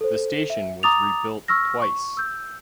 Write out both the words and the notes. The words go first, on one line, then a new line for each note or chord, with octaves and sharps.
The station was rebuilt twice.
A4 C5
E5
A#5 D6 D#6 A6 F7
C#6 E6 F6 A#6
C#6
E6 G6